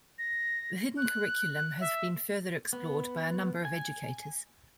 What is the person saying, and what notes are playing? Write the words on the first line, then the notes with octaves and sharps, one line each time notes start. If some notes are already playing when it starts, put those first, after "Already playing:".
The hidden curriculum has been further explored by a number of educators.
A#6
F#6
E5
B3
G#5